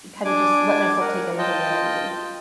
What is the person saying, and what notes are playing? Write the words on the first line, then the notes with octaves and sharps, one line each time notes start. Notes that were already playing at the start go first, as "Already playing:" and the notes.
kinda just let myself take everything in, I mean.
D4 G#5 D6
A#4 F#5
F4 D#5 G5 A5